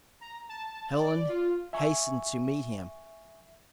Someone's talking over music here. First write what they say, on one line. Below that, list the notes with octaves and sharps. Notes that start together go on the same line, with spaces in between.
Helen hastened to meet him.
A#5
A5
D5
F4
E5 G#5 C#6